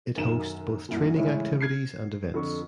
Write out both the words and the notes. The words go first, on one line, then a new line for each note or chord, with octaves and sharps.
It hosts both training activities and events.
B1 F#2 D#3 E7
C2 F#2 A#2
A2 C#3 E3 G#3 C#4 E4
F6 G#6 C7
F2 D3 C#6